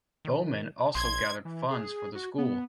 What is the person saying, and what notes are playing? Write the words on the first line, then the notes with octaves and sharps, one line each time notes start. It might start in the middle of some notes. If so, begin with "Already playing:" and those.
Bowman also gathered funds for the school.
D#3
A#1 C6 G#6
E3
G#4
F#4
B3